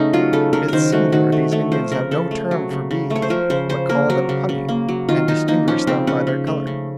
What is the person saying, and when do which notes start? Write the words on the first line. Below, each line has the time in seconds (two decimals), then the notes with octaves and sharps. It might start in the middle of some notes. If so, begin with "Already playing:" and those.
It is singular these Indians have no term for bees, but call them honey, and distinguish them by their color.
Already playing: C#3 A3 C#4 D#4
0.13 F#3 F4
0.33 C#3 A4
0.53 C#3 A#4
0.68 D#3 A#4 C5
0.92 A3 F#4
1.12 D#3 F#4
1.32 A3
1.52 A3 C#5
1.72 F3 C5
1.91 C#3 A#4
2.11 C#3 A4
2.31 A3
2.51 F#3
2.71 C#3
2.91 C#3
3.10 A3
3.16 C#5
3.22 C5
3.30 F3 A#4
3.50 C#3 C5
3.69 C#3 C5
3.89 A#3 A#4
4.10 F#3 A#4
4.29 C#3
4.49 C#3
4.69 A#3
4.88 F#3
5.09 D#3 F4
5.28 D#3 D#4
5.48 A#3 D#4
5.68 F3 C#4
5.87 C#3 C4
6.07 C#3 C#4
6.27 C#3
6.47 A3
6.67 C#3